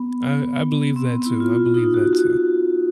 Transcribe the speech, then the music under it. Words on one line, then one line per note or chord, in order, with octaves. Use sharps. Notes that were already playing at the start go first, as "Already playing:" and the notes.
I I believe that too. I believe that too.
Already playing: B3
C4
B3
E4
F4
F4
D#4
F#4
F#4